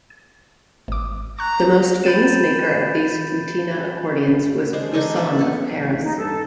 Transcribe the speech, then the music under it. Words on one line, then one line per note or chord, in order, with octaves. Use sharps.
The most famous maker of these "flutina" accordions was Busson of Paris.
G#1 D6
A#5 C#6 F#6
B5 G6 A6 D#7 E7
G#3 D4 C5
D4 D#4 A4 G#5
D5 E5
B3 A4
A1
D#2 D#4
G2 A4